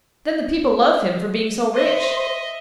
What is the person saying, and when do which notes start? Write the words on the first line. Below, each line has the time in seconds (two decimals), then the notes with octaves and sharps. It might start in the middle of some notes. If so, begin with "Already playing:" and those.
Then the people love him for being so rich.
1.74 C5 D#5 E5